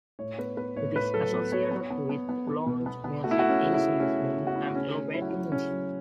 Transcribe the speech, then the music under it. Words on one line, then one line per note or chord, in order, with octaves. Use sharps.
It is associated with lounge music, easy-listening, and elevator music.
A2 C#5
B3 B4
B3 B4
A2 C#5
A2 B4
F#3 A4
B3
B3 C#5
B3
B3
B3
B3
B3
B2
B3
B3
A3 F#4
E4
A3 F#4
C#4
C#3
E4
A3
A3 C#4
C#3
C#3 E4
F#4
A3 E4
C#3 C#4
A3
F#3 E4
F#4
F#3 E4
C#3 C#4
F#3